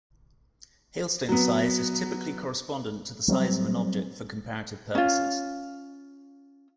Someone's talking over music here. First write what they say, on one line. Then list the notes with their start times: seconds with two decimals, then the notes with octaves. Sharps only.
Hailstone size is typically correspondent to the size of an object for comparative purposes.
1.29 F#3 B3
3.28 F#3 G3 B3 C4
4.95 C#4 F4